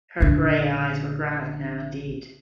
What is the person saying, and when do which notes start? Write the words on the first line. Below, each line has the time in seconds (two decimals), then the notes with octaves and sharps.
Her gray eyes were granite now indeed.
0.20 A#1 D3